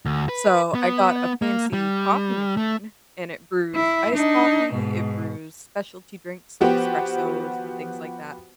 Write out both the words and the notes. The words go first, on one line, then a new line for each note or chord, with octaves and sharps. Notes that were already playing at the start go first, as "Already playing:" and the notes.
So I got a fancy coffee machine, and it brews iced coffee, it brews specialty drinks like espressos and things like that.
D2
B4
B3
A#3
G3
A3
E4
D4 D#4
G#2 B2
F3 B3 F#4 G4 C5